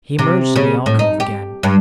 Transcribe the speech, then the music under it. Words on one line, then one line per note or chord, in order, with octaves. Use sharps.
He emerged in the alcove again.
C3
C#3
A2
D#4
G4
G2